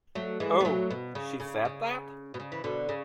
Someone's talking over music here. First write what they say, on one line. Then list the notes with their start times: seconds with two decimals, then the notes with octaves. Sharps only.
Oh, she said that?
0.15 F#3 A3
0.40 E3 G#3
0.61 B3
0.65 F#3 A3
0.90 B2
1.15 C#3
1.40 C#3
1.65 C#3
2.34 B2
2.40 C#3
2.52 E3
2.64 B2 D3
2.89 C#3